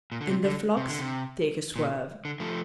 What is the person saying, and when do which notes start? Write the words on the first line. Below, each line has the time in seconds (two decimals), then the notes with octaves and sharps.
And the flocks take a swerve.
0.12 A#2
0.21 D3
0.29 C3
0.44 D3
0.77 C3
0.89 D3
0.99 C3
1.76 A#2
2.25 D3
2.40 F3 A3